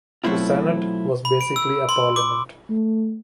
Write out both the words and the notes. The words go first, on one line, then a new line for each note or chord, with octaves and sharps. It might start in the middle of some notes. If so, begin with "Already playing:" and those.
The Senate was basically a Parliament.
B2 F#3 A3 C4 E4 F4
B5
D7
E6
C6
D6
A3